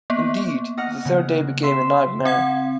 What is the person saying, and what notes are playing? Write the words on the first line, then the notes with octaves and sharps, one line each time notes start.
Indeed, the third day became a nightmare.
A#3 B3
D#5 F#5 F6
C#3
E5 C6
C4 F#5 G#6